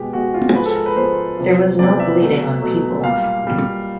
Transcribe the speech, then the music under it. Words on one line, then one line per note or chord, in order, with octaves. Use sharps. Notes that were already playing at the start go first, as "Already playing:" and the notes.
There was no bleeding on people.
Already playing: B2 G#3 G4
B2 G#3 F#4
F4
G#2 F3 G#3 B4
A4
A#4
B4
G#2 F3 G#3 C5
E2 C3 F3
E2 C3 F3 D5
E5
B2 F#3 A3
B2 F#3 A3
A#2 G3 F5
A#2 G3